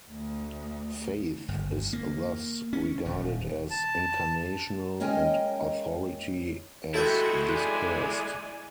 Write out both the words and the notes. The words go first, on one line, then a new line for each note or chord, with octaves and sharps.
Faith is thus regarded as incarnational and authority as dispersed.
D2
G1
A#3
C#4
D#1
A5
G#3 A#3 C#4 D#5 G5 G#5
G#3 E4 F#4 A4 C5 E5 G5
D5 G#5